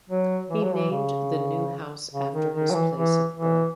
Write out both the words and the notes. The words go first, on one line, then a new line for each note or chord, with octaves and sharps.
He named the new house after his place of birth.
F#3
E3
F#3
E3
C#3
C#3
D#3
D#3
F#3
E3
E3
E3